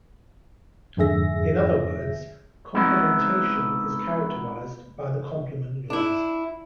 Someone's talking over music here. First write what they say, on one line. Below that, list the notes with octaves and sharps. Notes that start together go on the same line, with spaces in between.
In other words, complementation is characterized by the complement laws.
F2 G#2 D3 G#4 E5 A#6
G#3 B3 C4 D#4 E4 F#4
D4 E4